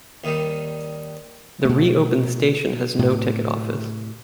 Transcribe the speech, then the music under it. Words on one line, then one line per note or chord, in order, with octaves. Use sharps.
The reopened station has no ticket office.
D#2 D#3 G3
B2 A3
A2 C3